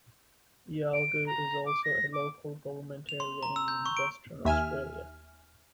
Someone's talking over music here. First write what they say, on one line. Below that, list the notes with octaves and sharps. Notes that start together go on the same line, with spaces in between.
Yalgoo is also a local government area in Western Australia.
D7
A#5
D6
A#6
D6
F7
C6
A#5
E6
G6
C#6
D7
D#2 E5 G#5 F6